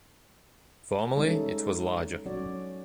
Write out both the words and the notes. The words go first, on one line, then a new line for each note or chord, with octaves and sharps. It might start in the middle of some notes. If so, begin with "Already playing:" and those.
Formerly, it was larger.
G3 G#3 C#4 D#4 E4 A4
F#3 C#4 F#4 C#5 D5